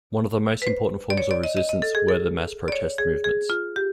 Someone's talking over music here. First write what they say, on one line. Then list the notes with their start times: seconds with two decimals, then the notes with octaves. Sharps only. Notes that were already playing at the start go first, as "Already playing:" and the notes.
One of the most important forms of resistance were the mass protest movements.
0.62 B4
0.67 C5
1.10 D5
1.18 C#5
1.31 D5
1.44 D#5
1.57 D#5
1.69 D#5
1.82 A4
1.95 G#4
2.09 A4
2.68 D5
2.72 C#5
2.98 G#4
3.24 G#4
3.50 F4
3.76 G4